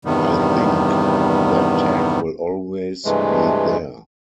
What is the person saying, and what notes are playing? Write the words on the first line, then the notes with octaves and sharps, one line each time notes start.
I think that tag will always be there.
E2 G2 C3 D#3 G3 B3
G2 C3 E3 G#3 A3